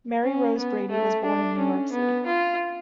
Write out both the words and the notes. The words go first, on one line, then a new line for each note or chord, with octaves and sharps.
Mary Rose Brady was born in New York City.
C#4
B3
A3
D4
C#4
B3
F4